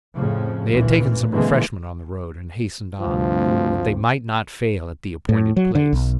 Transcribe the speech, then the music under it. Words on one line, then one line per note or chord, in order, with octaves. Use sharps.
They had taken some refreshment on the road and hastened on, that they might not fail at the appointed place.
F2 A2 C#3 F3
G#1 D2 A#2 E3
B2 D3 E3 G#3 A#3 C4
D2 G2 C3 F3
A2
F#3
D3
B1